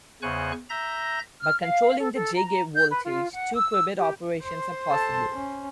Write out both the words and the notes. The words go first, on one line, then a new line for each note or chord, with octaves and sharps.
By controlling the J gate voltage, two-qubit operations are possible.
E2 C#3 C5 G#5 C#6 F#6
E5 A#5 G6 A#6
F6
F5
A4
A4
A#5
G6
B4
F4
F#5
E6
G4
C5 C6
A4 A5
C#4